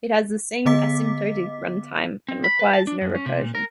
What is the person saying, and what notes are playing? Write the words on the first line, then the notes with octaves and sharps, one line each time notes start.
It has the same asymptotic runtime and requires no recursion.
D3 B3 D#5 D6 B6
C4
B5
B4
A5
D4
F#2
C#4
C3
A#2
A#4